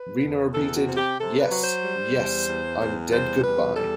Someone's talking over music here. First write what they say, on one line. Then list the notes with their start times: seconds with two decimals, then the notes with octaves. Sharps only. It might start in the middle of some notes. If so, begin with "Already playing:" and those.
Reno repeated, Yes, yes, I'm dead-good-by!
Already playing: B4
0.22 E2
0.54 E2 A4
0.75 F#4
0.86 C3
0.97 G4
1.18 C3 A4
1.40 B4
1.50 F#3
1.61 C5
1.83 G3
2.15 E2
2.46 E2
2.79 E2
3.11 G3 C5
3.43 E2 B4
3.75 G3 A4